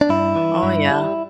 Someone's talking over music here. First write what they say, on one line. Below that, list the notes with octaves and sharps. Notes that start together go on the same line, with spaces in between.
Oh, yeah.
D4
G2 E4
E3
G2
G3